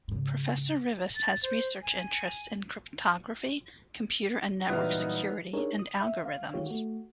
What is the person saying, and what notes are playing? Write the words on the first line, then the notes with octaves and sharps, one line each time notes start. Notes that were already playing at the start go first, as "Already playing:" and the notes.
Professor Rivest has research interests in cryptography, computer and network security, and algorithms.
G#2 C#3
A6
C5
G#5
A#2 E3 F#3 G3 B3 D#4 E4 F5
D4 D#4 G4 G#4 A#4 C#5
D#6
E5
F5
D#3 G#3 F4 G4 C#5
A3 F#4